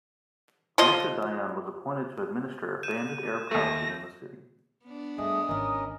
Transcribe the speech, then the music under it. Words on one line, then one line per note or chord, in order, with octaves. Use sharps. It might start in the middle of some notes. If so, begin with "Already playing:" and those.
Moshe Dayan was appointed to administer abandoned Arab property in the city.
F3 F4 D#5
G6 D#7 E7
D#2 A3 A#6
B3 D4
G2 A3 G#4 D#5 D#6
G#1 D#3 C#4 A#4 D#5